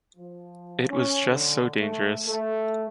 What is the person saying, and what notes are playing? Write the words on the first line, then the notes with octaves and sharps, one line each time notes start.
It was just so dangerous.
F3
C#4
D3
A3
A3